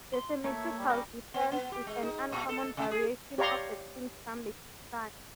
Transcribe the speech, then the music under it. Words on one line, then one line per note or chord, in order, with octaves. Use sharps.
The Symmetrical Defense is an uncommon variation of the Queen's Gambit Declined.
C6
A3 A#3 C#5 E5
G3
C#4 A4 A#4
B3
B3
G4
G#3
D#4
A#2
A4
C3
G#4
G4 C#5 D5 F5 A#5 C6